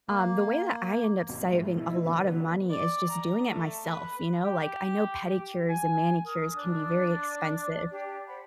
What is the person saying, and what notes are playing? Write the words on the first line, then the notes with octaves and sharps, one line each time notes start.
um, the way that I end up saving a lotta money is just doing it myself, you know, like, I know pedicures and manicures can be very expensive,
A#3
G#1 D#2 B2
A#1 G#2 A3
B2 E4
A1 D2 B3 B4
D5
A#5
A3
B4
G4
G#5
A#4 D#6
D4 D5
D4 G4 D5
C5 F#5 B5